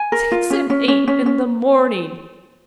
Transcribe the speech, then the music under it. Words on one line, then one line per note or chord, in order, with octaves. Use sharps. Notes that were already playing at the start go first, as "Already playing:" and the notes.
Six and eight in the morning!
Already playing: G#5
A#4
F4
C#4
C#4
C#4
C#4
C#4